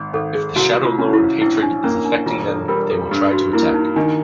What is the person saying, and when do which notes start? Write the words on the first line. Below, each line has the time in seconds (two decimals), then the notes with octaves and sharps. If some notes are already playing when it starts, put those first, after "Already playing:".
If the Shadowlord of Hatred is affecting them, they will try to attack.
Already playing: G#1
0.13 G#1 A4
0.35 G#4
0.56 C2 F#4
0.85 F4
0.99 C#4
1.13 E4
1.41 A#1 E4
1.62 D4
1.83 A#3 C#4
2.05 D4
2.26 E1 F4
2.48 A4
2.68 G3 A#4
2.90 A4
3.11 G2 G4
3.33 F#4
3.53 A#3 E4
3.74 D#4
3.96 D#3 D4